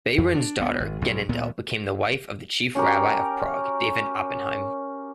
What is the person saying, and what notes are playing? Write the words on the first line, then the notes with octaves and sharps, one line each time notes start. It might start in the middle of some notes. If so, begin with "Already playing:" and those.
Behrend's daughter Genendel became the wife of the chief rabbi of Prague, David Oppenheim.
F2
D4
D2 B3
G#1
B1 G2
D2 A#2 B3
C#4 F#4 G4 A#4